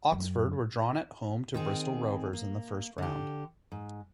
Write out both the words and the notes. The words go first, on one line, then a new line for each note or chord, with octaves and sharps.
Oxford were drawn at home to Bristol Rovers in the first round.
F#2
D#3 C4 G#4
A#3
D3 G4
G#2